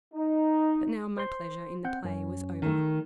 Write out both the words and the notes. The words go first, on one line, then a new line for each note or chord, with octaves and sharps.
But now, my pleasure in the play was over.
D#4
C5 C6
C4 F#5 G6
F#2 C#4
D#3 A3